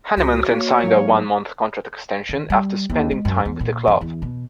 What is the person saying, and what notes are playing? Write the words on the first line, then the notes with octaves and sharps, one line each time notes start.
Hahnemann then signed a one-month contract extension after spending time with the club.
C#2 F#4
A#3 C#5
G#2 F#3 A#3
D#3
G3
D#2
G#3
F#2
E2
A#2
F2
E2
B2